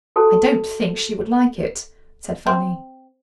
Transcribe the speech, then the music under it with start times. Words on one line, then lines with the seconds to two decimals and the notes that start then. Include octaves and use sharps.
"I don't think she would like it," said Fanny.
0.16 F#4 A4 A5
2.47 C4